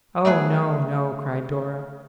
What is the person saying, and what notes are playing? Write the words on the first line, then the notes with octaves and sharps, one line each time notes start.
'Oh, no, no!' cried Dora.
A3 B3 G#4